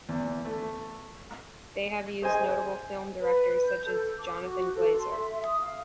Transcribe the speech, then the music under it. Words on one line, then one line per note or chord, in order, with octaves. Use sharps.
They have used notable film directors such as Jonathan Glazer.
E2
A3
G#4 C5 D#5 G#5
B4
G6
A4
D6
F#4
A4
C6
E5
D#6
F5